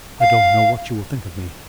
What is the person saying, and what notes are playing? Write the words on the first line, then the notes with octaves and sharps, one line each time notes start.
I don't know what you will think of me.
F5